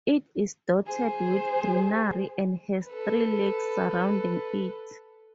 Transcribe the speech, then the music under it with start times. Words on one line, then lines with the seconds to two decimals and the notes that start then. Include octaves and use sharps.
It is dotted with greenery, and has three lakes surrounding it.
0.86 G#4 C5
2.87 A4 B4